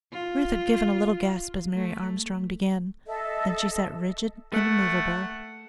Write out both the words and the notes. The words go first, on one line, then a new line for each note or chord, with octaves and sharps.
Ruth had given a little gasp as Mary Armstrong began, then she sat rigid and immovable.
F4
A3
A4 D#5 E5
A3 F#5